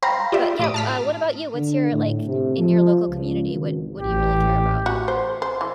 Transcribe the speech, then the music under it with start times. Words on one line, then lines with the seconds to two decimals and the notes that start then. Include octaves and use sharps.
Yeah, but yeah, uh, what about you? What's your like, in your local community, what what do you really care about?
0.03 C5 F5 G5 A#5 B5
0.32 F4 G4 D5 E5
0.59 A2 D6 D#6
0.74 A5 F6 B6
1.55 D3
1.92 A2
2.25 C3
2.57 F3
3.08 C#2
3.51 G#1
4.00 A1 G4
4.86 F#4
5.08 C5
5.42 C5
5.61 E3